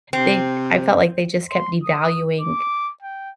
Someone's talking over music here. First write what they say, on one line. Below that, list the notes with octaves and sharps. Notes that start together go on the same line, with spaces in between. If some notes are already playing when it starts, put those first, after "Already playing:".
they I felt like they just kept devaluing
C3 C4
C6
D#6
D6
G5